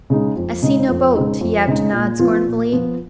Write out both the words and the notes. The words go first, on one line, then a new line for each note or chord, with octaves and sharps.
"I see no boat," yapped Nod scornfully.
C#3 G#3 D#4
F2
C#3 G#3 D#4
F2
C#3 G#3 D#4
F2
C#3 G#3 D#4
A#2
F3 B3 F4
A#2
F3 B3 F4